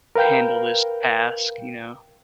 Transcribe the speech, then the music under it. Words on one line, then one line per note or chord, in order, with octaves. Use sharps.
handle this task," you know?
A#4 B4 F5 G5 G6